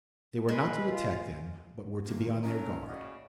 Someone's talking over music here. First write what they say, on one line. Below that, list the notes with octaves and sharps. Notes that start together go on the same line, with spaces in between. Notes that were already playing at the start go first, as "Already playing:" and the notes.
They were not to attack them, but were to be on their guard.
G#3 B4
F4
E2 B2 D3 D#3 A#3
F#3 A3 C#4 D#4 A#4
A2 C#3 F#4 D5 D#5